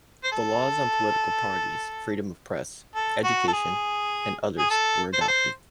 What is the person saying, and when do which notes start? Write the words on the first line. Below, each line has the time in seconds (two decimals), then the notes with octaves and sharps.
The laws on political parties, freedom of press, education and others were adopted.
0.24 C5
0.32 A4
2.95 A4
3.24 F#4
3.48 A4
3.53 G#4
4.58 G#4
4.70 A4
5.13 C5
5.21 A4
5.28 C5